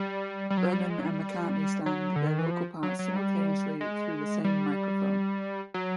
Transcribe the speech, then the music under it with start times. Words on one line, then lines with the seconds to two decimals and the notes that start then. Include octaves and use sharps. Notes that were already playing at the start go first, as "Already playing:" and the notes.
Lennon and McCartney sang their vocal parts simultaneously through the same microphone.
Already playing: G3
0.50 G3
0.57 F#3
0.73 G3
0.90 G#3
1.00 F#3
1.06 G3
1.86 F#3
2.16 D3
2.27 D#3
2.39 E3
2.51 F3
2.83 F#3
2.99 F#3
3.16 G3
3.81 G#3
4.44 G3
5.74 F#3